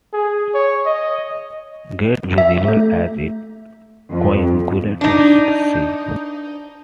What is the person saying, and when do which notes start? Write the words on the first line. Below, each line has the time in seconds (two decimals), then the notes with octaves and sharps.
Gets visible as it coagulates, I see.
0.13 G#4
0.54 C#5
0.86 D#5
2.38 E5
2.68 A3
4.12 F2
5.01 D4 D#4